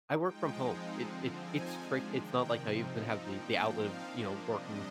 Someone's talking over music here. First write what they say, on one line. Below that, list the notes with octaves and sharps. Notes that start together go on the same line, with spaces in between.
I work from home, it it's it's trick it's not like I even have the the outlet of, you know, working
F3 G#3 D#4 G5
F3 G#3 C4 D#4
D3 F3 C4
F3 C4 D#4 G#5
F3 G#3 D4
C3 D#3 A#3 G5
C3 F3 C4 D#4
F3 C4 D#4
F3 A#3 D4 G5
F3 C4 D#4 F5
F3 A#3 D4
C3 G3 D4 D#5